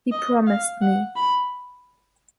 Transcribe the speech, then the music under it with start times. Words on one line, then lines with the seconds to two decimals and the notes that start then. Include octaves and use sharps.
He promised me.
0.12 D#5
0.47 F5
0.82 F#5
1.16 B5